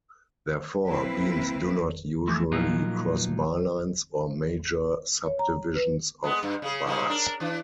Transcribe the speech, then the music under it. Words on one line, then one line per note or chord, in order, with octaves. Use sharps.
Therefore, beams do not usually cross bar lines or major subdivisions of bars.
A#3 C4 E4 B4
E3 F3 A3
A#2 F3 F#3 D#4 F4 A#4
C#5
A#5
B4
G#3 B3
G2
C#3 G#4
G#2 C#3 G3
D4 A#4
E3 D4